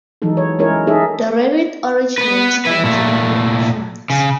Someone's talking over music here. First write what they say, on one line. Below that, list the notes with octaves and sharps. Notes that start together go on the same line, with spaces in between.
The rabbit originates from Germany and France.
E3 F#3 G#3 D#4 A4
C#5
G#3 C#4 E4 G#4 A#4 C#5
D#4 E4 G#4 A4 D#5 E5
B3 B4
E4 B4
A#2 A3
C#3